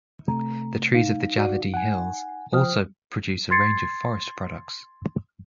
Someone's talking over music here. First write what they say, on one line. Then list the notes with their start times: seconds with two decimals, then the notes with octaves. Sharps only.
The trees of the Javadhi Hills also produce a range of forest products.
0.28 C3 A3 A#5
0.94 D#4 F5
1.37 F#4 D5
1.74 F#5 G#5
2.53 F3 C5 G5 D#6 F6
3.51 C6 G#6 A6 C7 C#7